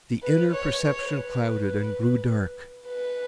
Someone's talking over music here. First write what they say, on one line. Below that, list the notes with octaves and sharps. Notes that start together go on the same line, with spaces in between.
The inner perception clouded and grew dark.
B4
C#5
C#5
B4
B4